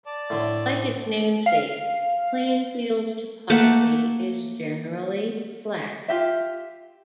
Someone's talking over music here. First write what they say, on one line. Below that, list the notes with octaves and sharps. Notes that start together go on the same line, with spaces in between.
Like its namesake, Plainfield's topography is generally flat.
D5 A5
A2 D3
F5
A3 A#3 F#5 A5
F4 G4 E5